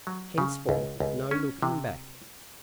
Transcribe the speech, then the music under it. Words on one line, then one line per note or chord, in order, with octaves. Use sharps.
Henceforth no looking back.
F#3
C#3
C#2
C#2
C#4
C3